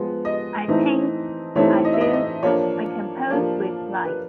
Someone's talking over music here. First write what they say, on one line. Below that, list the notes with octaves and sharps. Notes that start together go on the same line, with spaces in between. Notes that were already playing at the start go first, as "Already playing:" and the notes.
I paint, I build, I compose with light.
Already playing: F3 G#3 B3
D#5
E3 A3 C4 D#4
E3 A3 C4 D#4 C#5
D#5
E5
D#5
D#5
F3 A#3 D4 C#5
F3 A#3 D4
B4